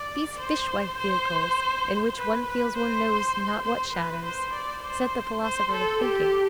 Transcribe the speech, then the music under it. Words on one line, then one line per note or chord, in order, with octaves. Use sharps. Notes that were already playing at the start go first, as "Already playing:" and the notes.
These fishwife vehicles, in which one feels one knows not what shadows, set the philosopher to thinking.
Already playing: D5
C5
C5
B4
B4
C5
C5
B4
C5
D5
C5
C5
A4
G4